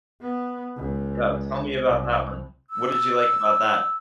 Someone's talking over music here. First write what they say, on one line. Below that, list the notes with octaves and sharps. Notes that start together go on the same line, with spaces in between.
yeah. Tell me about that one. What did you like about that?
B3
C#2
C2
E6